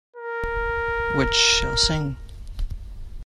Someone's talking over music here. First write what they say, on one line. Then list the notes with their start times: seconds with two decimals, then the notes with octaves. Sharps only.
Which shall sing?
0.16 A#4